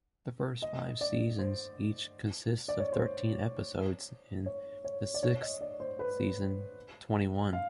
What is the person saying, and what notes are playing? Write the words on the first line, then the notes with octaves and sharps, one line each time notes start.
The first five seasons each consist of thirteen episodes, and the sixth season twenty-one.
D#5
D5
C5
D5
C#5
C5
C#5
C#5
D5
C#5
D#5
D5
C5
B4
F5